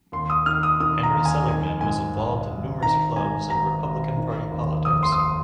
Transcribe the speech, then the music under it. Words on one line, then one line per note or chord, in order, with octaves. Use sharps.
Henry Seligman was involved in numerous clubs and Republican Party politics.
D#2 C6
D#6
D#3 F6
D#6
D#3 D#6
A#5
D#2
G#5
D#3 G#5
G#2 G#5
G#1
G#1
D#3 A#5
G#2 G#5
G#1 A#5
G#1
D#3
D#2
F1 D#6
C6
D#6
C6